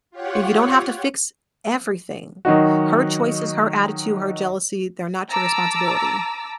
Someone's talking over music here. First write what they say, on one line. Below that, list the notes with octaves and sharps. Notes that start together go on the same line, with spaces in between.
and you don't have to fix everything. Her choices, her attitude, her jealousy, they're not your responsibility.
F4 G4 C#5 F#5
D#3 F#3 D#4 F#4
A5 A#5 D6 E6